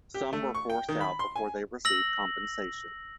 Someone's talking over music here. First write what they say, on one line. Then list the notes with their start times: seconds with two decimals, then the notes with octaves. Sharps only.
Some were forced out before they received compensation.
0.14 G4
0.33 A3
0.55 C#6
0.70 G5
0.89 D#3
1.01 B5
1.19 C6
1.36 G#5
1.85 E6 A#6 F#7